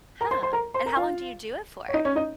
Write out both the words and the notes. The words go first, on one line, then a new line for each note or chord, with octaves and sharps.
Huh, and how long do you do it for?
A#4 A#5
C5 C6
C5 C6
A#4 A#5
C5 C6
A#4 A#5
F4 F5
C#5
D#4 D#5
C#4 C#5
D#4 D#5